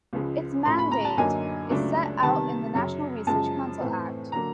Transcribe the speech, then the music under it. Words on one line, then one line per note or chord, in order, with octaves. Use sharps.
Its mandate is set out in the National Research Council Act.
C#2 C#3 F3 G#3
A2 F3 A3 C#4 C6
B5
A#5
A5
F#2 D3 F#3 A#3 D#4 G#5
C#2 C#3 F#3 A3 D4
C3 D#3 G3 B3 A5
F#2 C#3 F#3
F#2 C#3 F3 G#3 A5
A2 E3 A3 C4
D3 F#3 A#3 A#5